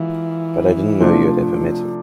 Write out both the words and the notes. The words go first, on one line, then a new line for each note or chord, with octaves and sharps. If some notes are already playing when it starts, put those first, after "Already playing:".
But I didn't know you had ever met him.
Already playing: E3 G#3 F4
C3 F3 A3 D4